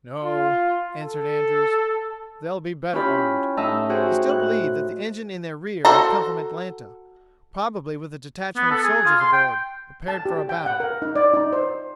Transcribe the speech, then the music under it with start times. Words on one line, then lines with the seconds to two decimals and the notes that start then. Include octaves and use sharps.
"No," answered Andrews; "they'll be better armed." He still believed that the engine in their rear had come from Atlanta--probably with a detachment of soldiers aboard, prepared for a battle.
0.24 F4
1.00 A4
2.93 C#4 E4 F4 G4 B5
3.57 A2 D#4 D#5 E5 A5 E6
3.90 F#4 G#4 C5 G5
4.26 A2 F#6
5.85 F#4 A4 C5 A5 A#5
8.56 B3
8.71 A4
8.84 G#4
9.05 F4
9.19 C6
9.32 G5
10.08 A5
10.26 G4
10.49 G5
10.66 F#5
10.80 A#4
11.02 D#4
11.16 D5
11.34 D#4
11.53 C5